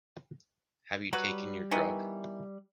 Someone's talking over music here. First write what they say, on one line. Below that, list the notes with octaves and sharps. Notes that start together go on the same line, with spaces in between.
Have you taken your drug?
F#3 G3 F#4 B4 F#6
D#3 E3 B3